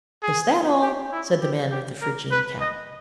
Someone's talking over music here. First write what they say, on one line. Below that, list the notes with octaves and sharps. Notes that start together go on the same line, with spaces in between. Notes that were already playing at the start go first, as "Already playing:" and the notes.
"Is that all?" said the man with the phrygian cap.
G#4
G4
E4
G4
G4
A#4
B4
D#5